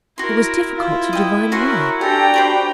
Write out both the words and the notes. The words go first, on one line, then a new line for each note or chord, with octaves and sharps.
It was difficult to divine why.
E4 F#4 A#4 C6
E4 F4
D#5 G5
C#4 F#4 A#4 B4 F#5 C6
D4 F#4 G4 A4 G5 G#5 A#5
G4 C5 B5 C#6